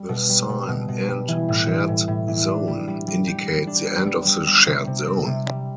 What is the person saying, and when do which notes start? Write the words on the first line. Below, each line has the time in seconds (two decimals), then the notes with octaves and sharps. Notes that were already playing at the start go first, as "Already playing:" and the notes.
The sign "End Shared Zone" indicates the end of the "shared zone".
Already playing: G3
0.09 B2
0.29 G3
0.49 B2
0.68 B2
0.88 B2
1.08 G3
1.28 E3
1.48 A2
1.68 E3
1.88 A2
2.08 A2
2.28 E3
2.48 D4
2.67 G3
2.88 G3
3.07 G3
3.27 G4
3.47 G3
3.67 D4
3.87 B3
4.07 G3
4.27 G3
4.46 G3
4.66 C3
4.87 C3
5.06 C4
5.26 C3
5.46 G3